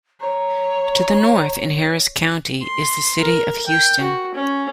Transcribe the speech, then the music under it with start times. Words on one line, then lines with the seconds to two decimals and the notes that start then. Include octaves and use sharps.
To the north in Harris County is the city of Houston.
0.20 C#5 A#5
2.62 C6
3.21 A#4
3.66 G5
4.01 F#4
4.34 C#4